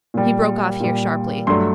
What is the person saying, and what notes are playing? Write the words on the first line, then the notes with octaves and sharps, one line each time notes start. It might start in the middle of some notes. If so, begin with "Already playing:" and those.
He broke off here, sharply.
A#2 G3
A#2 G3
G2 F#3 A3 C6